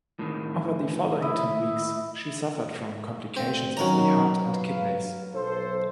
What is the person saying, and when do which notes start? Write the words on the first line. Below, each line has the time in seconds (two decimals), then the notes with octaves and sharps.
Over the following two weeks she suffered from complications of the heart and kidneys.
0.19 A2 D#3
1.22 E4 D#5 B5
3.36 D2 C4
3.77 D#3 F#3 C#4 A#4 A#5
4.45 G2 B4 F5
5.34 B1 A4 C5